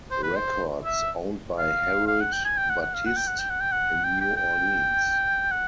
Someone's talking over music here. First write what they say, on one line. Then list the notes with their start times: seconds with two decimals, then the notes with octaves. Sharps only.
Records owned by Harold Battiste in New Orleans.
0.11 C5
0.23 B4
0.36 C5
0.85 E5
1.59 F5
2.07 F5
2.21 F#5
2.33 G5
2.45 G#5
2.57 G5
2.70 F#5
2.82 F#5
2.94 F5
3.06 F#5
3.16 G5
3.28 F#5
3.39 G5
3.50 F#5
3.61 G5
3.72 F#5
4.04 G5
4.21 G5
4.37 G5
5.51 F#5